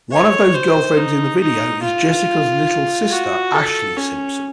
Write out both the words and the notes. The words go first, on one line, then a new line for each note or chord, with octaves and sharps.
One of those girlfriends in the video is Jessica's little sister Ashlee Simpson.
C#5
C5
D#4
D#4
F4
F#4
A4
C#4